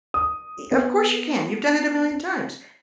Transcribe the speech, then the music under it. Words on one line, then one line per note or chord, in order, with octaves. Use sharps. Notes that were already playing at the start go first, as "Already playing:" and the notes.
"E 'Of course, you can. You've done it a million times.
D#6
B3